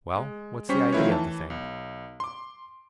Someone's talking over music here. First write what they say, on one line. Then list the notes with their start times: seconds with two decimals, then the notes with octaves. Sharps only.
"Well, what's the idea of the thing?"
0.16 G#3
0.69 G3 C#4 G4 C5 C#6 B6
0.92 D#3 F3 A3 E4 B4 C#5
1.09 E3 A5
1.50 B1
2.20 C6 D6